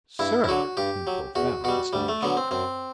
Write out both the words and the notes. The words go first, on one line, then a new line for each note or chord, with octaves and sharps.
"Sir!" in profound astonishment.
G2 E4
E4
D3 F#3 F#4
G2 G4
F#3
E2 F#4
B2 G3 F#4
D2 G3
A3
D3 F#3 B3
C4
F#2 C4